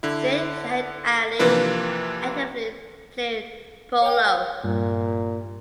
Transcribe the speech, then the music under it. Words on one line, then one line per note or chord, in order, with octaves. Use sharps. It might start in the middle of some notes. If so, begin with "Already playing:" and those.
Syed Shahid Ali actively played polo.
D3 E4
C3 E3 F3 A#3 D4 B4
C#5 F5 G5
G2 A#2